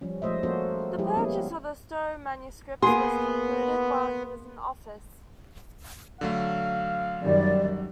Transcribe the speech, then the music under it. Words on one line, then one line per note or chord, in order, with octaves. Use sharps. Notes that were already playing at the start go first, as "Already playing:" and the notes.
The purchase of the Stowe manuscripts was concluded while he was in office.
F3 G3 C#4
F3 G#3 A3 C5 D#5 E5
F3 A#3 C#4 F#4 A4 C5
F3 G3 G#3 E4 G4 G#4
A#3 B3 C#4 E4
A#3 B3 G#4 C6
D3 F#3 A3 F5
F#2 D#3 G3 D5